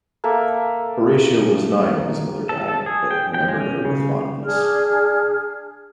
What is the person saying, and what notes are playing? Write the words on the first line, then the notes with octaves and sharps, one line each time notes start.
Horatio was nine when his mother died, but remembered her with fondness.
A#3 A4 E5
A4
A4
G#4
G5
G5
G#3
C#4
C#3
D4 G#4 F6